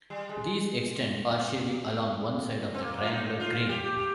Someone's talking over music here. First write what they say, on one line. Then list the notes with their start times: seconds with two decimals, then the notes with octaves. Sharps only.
These extend partially along one side of the triangular Green.
0.10 G3
0.29 G#3
2.74 C4
2.82 A#3
3.03 F4
3.11 D#4
3.40 F4
3.69 G4
3.98 G4